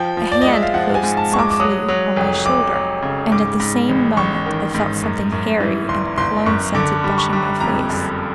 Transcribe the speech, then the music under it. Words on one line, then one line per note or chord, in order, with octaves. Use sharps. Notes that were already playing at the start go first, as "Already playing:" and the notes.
A hand closed softly on my shoulder, and at the same moment I felt something hairy and cologne-scented brushing my face.
Already playing: F3 G5
F3
D5
G#3 D#5
E5
F5
F3 F#5
G#5
G#2
A5
G#3 C#6
D6
D6
F#3 D#6
F#3
F1
F1 D6
F#3
C#3
G#2 D6
G#2
A1
A1 C#6
D#3
G#2
F#2
F#2
E3
G1 C6
G1 C6
F#2 C#6
D3 D6
G3
C#6
G3
F2 A#5
F#1